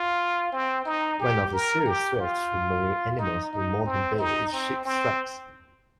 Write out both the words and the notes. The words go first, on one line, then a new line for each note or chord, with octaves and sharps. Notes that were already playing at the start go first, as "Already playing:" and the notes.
One of serious threats to marine animals in Moreton Bay is ship-strikes.
Already playing: F4
C4
D#4
G4
A#4
G4
F4
D#4
D#4
C4
D#4
C4
C4